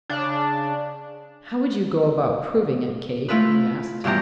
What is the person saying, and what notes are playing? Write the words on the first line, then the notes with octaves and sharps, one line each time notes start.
"How would you go about proving it, Kate?" he asked.
C#3 D4
A3 E4 F4 A4 B4
G2 B2 E3 G4 A#5